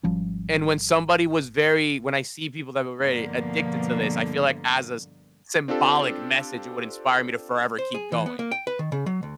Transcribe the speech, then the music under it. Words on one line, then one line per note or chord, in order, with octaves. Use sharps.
And when somebody was very when I see people that were very addicted to this, I feel like as a s symbolic message, it would inspire me to, forever, keep going.
G#1 F3 G3 C#4
G2 B2 D3 F3 A#3
C4 D4 F4 G4 A4
C5
G#4
E3
B3
A#3
G5
B4
D#3
C#3
F#3
D2